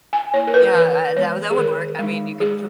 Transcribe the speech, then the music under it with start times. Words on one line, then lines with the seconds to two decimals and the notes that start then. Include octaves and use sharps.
Yeah, uh, that would that would work, I mean, you could,
0.13 G#5
0.34 A#3 E4 C#5
0.47 A#4
0.54 B4
0.75 E3 B4
1.16 G#3 B3 C#5
1.50 G#4
1.57 D#3 A#4
1.99 G#3 D#4
2.40 G#3 G#4